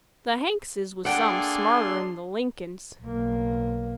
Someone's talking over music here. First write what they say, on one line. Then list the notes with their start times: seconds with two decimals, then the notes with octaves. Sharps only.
The Hankses was some smarter'n the Lincolns.
1.05 A#3 D4 G#4 A4 F#5 G5 C6
3.01 B1 A#3